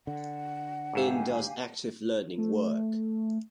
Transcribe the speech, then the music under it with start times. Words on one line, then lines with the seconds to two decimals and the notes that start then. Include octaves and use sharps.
In Does Active Learning Work?
0.07 D3 F#5
0.93 G#1 G#2 G4 E5 F5 G#5
2.38 A3